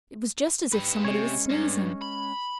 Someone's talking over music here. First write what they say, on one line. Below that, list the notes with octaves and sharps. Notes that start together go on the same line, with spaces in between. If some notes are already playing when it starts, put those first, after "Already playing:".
It was just as if somebody was sneezing.
G4 B4
C3 G#3 C#4 C#5
G2
B5